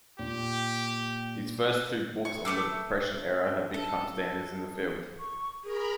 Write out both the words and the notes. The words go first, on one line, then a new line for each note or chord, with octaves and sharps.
His first two books on the Depression era have become standards in the field.
A#2 G4
C#6
A3 A#4 D6 E6
A4
C#6
G#4 A#4 A#5 B5